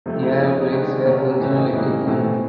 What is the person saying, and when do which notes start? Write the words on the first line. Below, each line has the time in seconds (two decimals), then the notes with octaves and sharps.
Air brakes were original equipment.
0.06 C3 F3 A3 C4
0.22 E4
0.38 C#3 F3 A#3 D#4
0.72 D#3 G#3 B3 D4
1.05 B2 F#3 A#3 C#4
1.39 A2 E3 A3 C4 C#4
1.56 D#4
1.73 A2 E3 G3 A#3
2.07 A2 E3 A3 C4